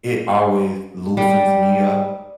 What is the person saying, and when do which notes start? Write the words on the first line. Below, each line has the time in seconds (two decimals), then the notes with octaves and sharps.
it always loosens me up.
1.17 G3